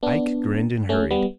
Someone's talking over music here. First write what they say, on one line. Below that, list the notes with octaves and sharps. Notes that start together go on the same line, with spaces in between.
Ike grinned and hurried.
B3 D4
A3 C#4
G3 B3